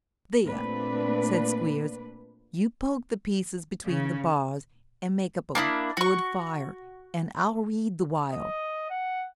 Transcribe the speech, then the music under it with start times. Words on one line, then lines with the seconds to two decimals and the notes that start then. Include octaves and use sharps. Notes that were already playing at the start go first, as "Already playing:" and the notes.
'There!' said Squeers; 'you poke the pieces between the bars, and make up a good fire, and I'll read the while.
0.44 A#2 A3 A#3 C4 D4 B4
3.86 C#3
5.55 A#3 D4 E4 D#6
5.97 F#4 C#6
8.33 D#5
8.90 F#5